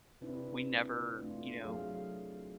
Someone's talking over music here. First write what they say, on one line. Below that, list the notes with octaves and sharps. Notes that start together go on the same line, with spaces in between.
we never you know,
C3 C4 D4 E4 B4
A3 D4 F4
F#3 G#4 F5